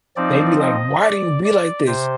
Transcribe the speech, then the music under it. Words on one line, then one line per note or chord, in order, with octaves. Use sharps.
They'd be like, "Why do you be like this?"
F3 C4 D#4 D5
D#5
D5
D5
C3 C5